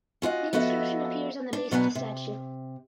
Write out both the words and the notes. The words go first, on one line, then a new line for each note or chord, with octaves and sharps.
The inscription appears on the base of the statue.
C#4 F4 F#4 D#5
F3 B3 F#4 A4 D#5 E5
D4
B2 F#3 B3 D4 B4 G#5
C3